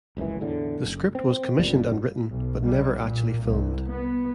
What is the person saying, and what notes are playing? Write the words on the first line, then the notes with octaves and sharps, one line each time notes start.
The script was commissioned and written, but never actually filmed.
F1 C#2 F#2 E3
E2 A2 D3
F#1
C4
G1 F#2 A#2 G3
B1
G3
A#2
C2
B3